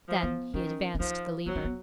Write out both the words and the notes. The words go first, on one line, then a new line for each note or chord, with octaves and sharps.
Then he advanced the lever.
F3
B3
D#3 C#4
C#4
F3 D#4
F#3 B3
C#4
B3